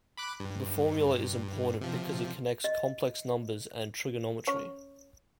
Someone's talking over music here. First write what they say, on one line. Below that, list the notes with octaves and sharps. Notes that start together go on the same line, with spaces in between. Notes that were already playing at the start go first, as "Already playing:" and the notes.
The formula is important because it connects complex numbers and trigonometry.
B5 D6 F#6
G2
C3 F3
D#5
C#4 C#5